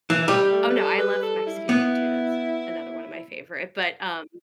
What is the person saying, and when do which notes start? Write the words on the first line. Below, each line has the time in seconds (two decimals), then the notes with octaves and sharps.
Oh, no. I love Mexican food too. That's another one of my favorite. But, um
0.10 E3
0.22 E4
0.28 G3 G4
0.51 A3
0.70 B4
0.75 A4
0.99 B4
1.22 A4
1.46 E4
1.69 B3